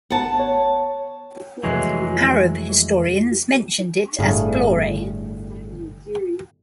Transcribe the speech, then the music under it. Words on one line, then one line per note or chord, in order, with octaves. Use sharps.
Arab historians mentioned it as Blore.
G1 B3 F#5 A5
C#5
F2 C3 E3 F#3 G#3 A3
G1 A2 G3 A3 G#4 F5